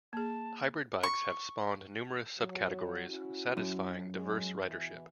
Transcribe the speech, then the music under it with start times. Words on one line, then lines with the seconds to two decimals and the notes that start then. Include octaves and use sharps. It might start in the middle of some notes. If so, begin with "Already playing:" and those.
Hybrid bikes have spawned numerous sub-categories satisfying diverse ridership.
0.13 A#3 G#4 A5
1.03 C#6
2.39 F#3
3.08 C#4 E4 F#4
3.57 F#2
4.14 F#3 G#3 G#4
4.65 E2 B2 E3